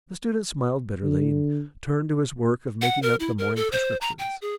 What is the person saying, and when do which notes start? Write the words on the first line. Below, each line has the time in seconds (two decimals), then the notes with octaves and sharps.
The student smiled bitterly, and turned to his work of making up the morning prescriptions.
1.02 D3
2.82 F#5
3.02 A#4
3.20 E4
3.38 A#4
3.56 A4
3.72 C5
4.01 A#5
4.19 G5
4.42 G#4